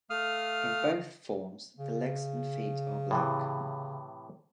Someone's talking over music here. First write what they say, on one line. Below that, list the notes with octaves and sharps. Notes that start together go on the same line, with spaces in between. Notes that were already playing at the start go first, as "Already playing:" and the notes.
In both forms the legs and feet are black.
A3 F5 D#6 F6
C#3
A2 C3 E3